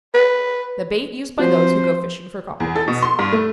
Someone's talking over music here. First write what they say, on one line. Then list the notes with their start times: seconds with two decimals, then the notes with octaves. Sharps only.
The bait used by those who go fishing for compliments.
0.14 B4
1.39 F3 C4 F4 F#4 C5
2.60 E2
2.76 A4
2.88 B2
3.03 C6
3.19 G2
3.32 A3